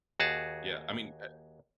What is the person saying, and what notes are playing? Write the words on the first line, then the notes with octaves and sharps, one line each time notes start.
yeah, I mean, uh
D#2 F#4 G#4 A5